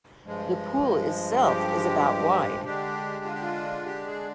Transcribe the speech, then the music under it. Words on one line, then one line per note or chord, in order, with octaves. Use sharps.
The pool itself is about wide.
G2 F3 G#3
G4
D3 G#3 D4 G4
F4
G4
F4
G4
G#4